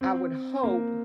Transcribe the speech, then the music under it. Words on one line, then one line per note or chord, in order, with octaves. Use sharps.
I would hope
C4
A#3